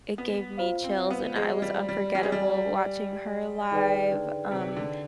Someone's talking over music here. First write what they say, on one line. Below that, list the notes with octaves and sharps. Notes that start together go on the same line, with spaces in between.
it gave me chills and I was unforgettable watching her live. Um,
B3
F4 C5 F5
C4
B3
G#3
G3
G3
G3 G4 D5 G#5
G#3
G3
D#3 D#4 G#4 B4 D5 G5
D3
C3
D3